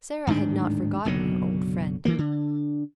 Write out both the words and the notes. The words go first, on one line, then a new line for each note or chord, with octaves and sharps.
Sara had not forgotten her old friend.
D1 G#2 D#3 D4
F#1 B1 D3 F#3
D2 E3 F3 A#3
D3